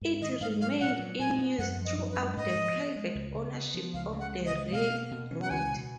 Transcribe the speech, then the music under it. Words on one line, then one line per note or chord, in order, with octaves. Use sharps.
It remained in use throughout the private ownership of the railroad.
G#2
D#3 D#5
G#2 F5
F#3 F5
A#2 F#5
F#3
A#2 G#5
B3
F#2 F#5
F3
D#5
F#2
B4
G#3
G#2 D#5
F3
B3
G#3
C#2
C#3
B3
F3
C#2 F5
C#3
F#5
C#2
D#5
G#3
B2 F5
A#3
B2
C#4
F#5
C#2 G#5
B2